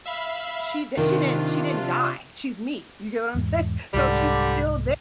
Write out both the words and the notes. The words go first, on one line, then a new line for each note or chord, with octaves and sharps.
She d she didn't she didn't die. She's me. You get what I'm saying? So she's still there
E5 F5 B5
C3 D#3 D4 F4
E2 G#2
C2 G#2 D3 G3